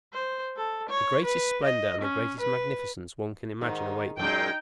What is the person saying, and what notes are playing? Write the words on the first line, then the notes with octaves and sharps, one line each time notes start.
The greatest splendor and the greatest magnificence one can imagine await them.
C5
A4
C#5
B4
D#5
C#4
B4
G#2 D#3
F#2 A#2 G#3 D#4 G5